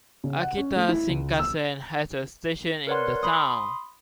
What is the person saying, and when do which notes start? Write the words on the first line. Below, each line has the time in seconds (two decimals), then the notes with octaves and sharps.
Akita Shinkansen has a station in the town.
0.24 C#3
0.41 F#5
0.57 C#4
0.76 A3
0.88 E4
1.08 C#2
1.39 E6
2.87 A#4 B4 C#5 D5 F#5 C6
3.23 B5 C6 D#6